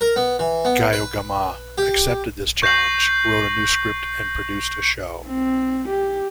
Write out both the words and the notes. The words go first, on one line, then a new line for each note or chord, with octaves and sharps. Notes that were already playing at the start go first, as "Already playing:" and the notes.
Geiogamah accepted this challenge, wrote a new script and produced a show.
A#4
B3
E3
B3
B4
G4
C#6 G6 A#6 C7 F#7
C4
G4